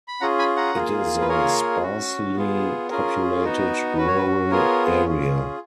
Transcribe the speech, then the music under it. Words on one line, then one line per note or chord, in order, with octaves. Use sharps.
It is a sparsely populated, rural area.
B5
C#4 F4 G#4 F#5 A#5
G#5 B5
F#5 A#5
A#3 F4 G#4
B4
A#3 F4 G#4 A#4 C#5
C#4 F#4
B3 F4 G#4
C#4 F4 G#4 A#4
B3 D#4 F#4
C#4 F#4 B4
C#5
B4
B3 F4 G#4 A#4 C#5
C#4 F4 G#4